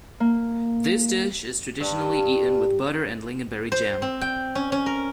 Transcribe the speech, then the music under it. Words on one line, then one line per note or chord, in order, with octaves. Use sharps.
This dish is traditionally eaten with butter and lingonberry jam.
A#3
G2
C5
C4
G5
C#4
C#4
A#4